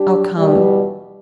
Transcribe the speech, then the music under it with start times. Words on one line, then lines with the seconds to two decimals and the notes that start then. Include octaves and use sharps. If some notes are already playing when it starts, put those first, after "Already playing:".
"I'll come."
Already playing: G3 D4 G4
0.38 E2 B2 G3